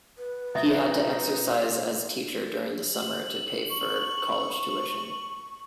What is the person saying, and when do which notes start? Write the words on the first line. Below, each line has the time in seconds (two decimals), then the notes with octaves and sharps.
He had to exercise as teacher during the summer to pay for college tuition.
0.18 B4
0.55 B2 F3 D#4 D#5 E5 D#6
2.94 F#7
3.70 C#6